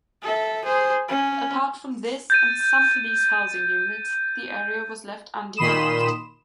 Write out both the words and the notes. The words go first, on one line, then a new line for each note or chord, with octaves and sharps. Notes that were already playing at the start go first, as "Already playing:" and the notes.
Apart from this and some police housing units, the area was left undeveloped.
A4 E5
G#4 C5
C#4
G6 A6 D#7
A#2 D#3 B5 C6 D#6 E7